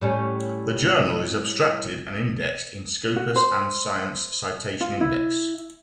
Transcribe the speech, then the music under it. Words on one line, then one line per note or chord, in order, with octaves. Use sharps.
The journal is abstracted and indexed in Scopus and Science Citation Index.
A2 G3 C#4
F#4
C5
F4
E4